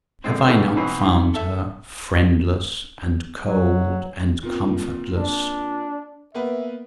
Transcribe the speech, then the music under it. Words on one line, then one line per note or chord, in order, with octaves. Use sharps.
Have I not found her friendless, and cold, and comfortless?
F#2 D3 G#3 C4
C#3 E3 B3 G4 A4
B2 E3 F#3 C4 D#4
G#2
A4 E5
F#3
A#2 A#3 C4
D4
A#3 B3 B4 E5